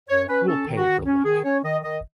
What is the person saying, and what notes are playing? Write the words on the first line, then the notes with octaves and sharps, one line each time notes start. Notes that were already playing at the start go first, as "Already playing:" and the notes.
Who will pay for Luck?
F#2 C#5
C#4 B4
C#4 A4
D#3
F#4
D#3
C#4
D#3 G#4
C#4 C#5
D#3 D#5
D#3 D#5